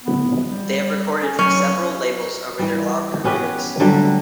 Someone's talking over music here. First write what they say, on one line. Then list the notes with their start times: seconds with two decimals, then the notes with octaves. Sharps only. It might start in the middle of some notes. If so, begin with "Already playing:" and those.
They have recorded for several labels over their long careers.
0.04 B3
0.50 G3
1.22 C#4
1.39 F#3 C#4
2.59 E3 G3
3.24 B3 C#4 G4 B4
3.80 D3 F#3 G3 A3